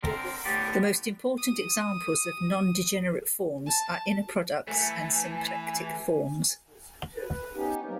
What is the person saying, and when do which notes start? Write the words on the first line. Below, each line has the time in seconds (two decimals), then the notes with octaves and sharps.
The most important examples of nondegenerate forms are inner products and symplectic forms.
0.03 D3 C4 A#4
0.45 A2 D3 B3 G4 D5
1.38 D#6
3.66 A5
4.68 E3 A3 B4 G#5
7.15 B4
7.55 B3 C#4 D#4 G4
7.84 F#3 G3 A#3 C4 C#4 A#4